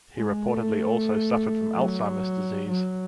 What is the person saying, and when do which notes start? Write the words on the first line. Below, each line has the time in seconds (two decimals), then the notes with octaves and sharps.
He reportedly also suffered from Alzheimer's disease.
0.16 G#3
0.47 A3
1.74 F#3
2.68 F#3